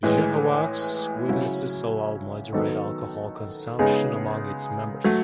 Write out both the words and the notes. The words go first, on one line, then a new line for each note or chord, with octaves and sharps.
Jehovah's Witnesses allow moderate alcohol consumption among its members.
A2 E3 G#3
C#3 F#3 C#4 E4
D#3 F#3 B3 D#4 A4
C#3 G#3 B3 D#4 G#4
F#3 A3